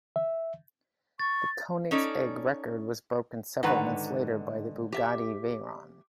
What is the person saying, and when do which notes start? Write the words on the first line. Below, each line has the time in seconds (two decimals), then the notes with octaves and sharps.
The Koenigsegg record was broken several months later by the Bugatti Veyron.
0.16 E5
1.20 C#6 A6
1.91 C#4 D#4 A4 C#5 D5
3.63 G#2 D3 D#3 B4 F#5 A#5
4.92 G4 E5